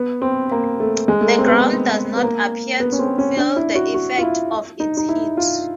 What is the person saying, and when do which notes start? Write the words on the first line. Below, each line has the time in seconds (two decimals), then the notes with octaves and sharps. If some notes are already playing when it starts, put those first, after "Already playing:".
The ground does not appear to feel the effect of its heat.
Already playing: B3
0.22 C4
0.51 A#3
0.80 A3
1.08 G#3
1.21 A3
1.27 A#3
1.38 C4
1.46 B3
2.16 B3
2.23 A#3
2.80 B3
2.92 C#4
2.99 C4
3.18 C#4
3.37 D4
3.56 E4
3.75 F#4
3.94 F#4
4.18 F4
4.23 E4
4.80 D#4
4.97 D#4
5.09 E4
5.37 F4